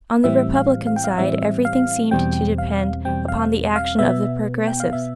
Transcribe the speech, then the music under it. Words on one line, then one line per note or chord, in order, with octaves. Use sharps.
On the Republican side everything seemed to depend upon the action of the Progressives.
A2 E3 G3 C4 E5
F5
F5
G5
F5
A2 E3 G3 C4 E5
F5
E2 B2 G3 C4 G5
F5
E2 B2 G3 C4 G5
F5
F5
B2 B3 E5
G5
F5
B2 B3 E5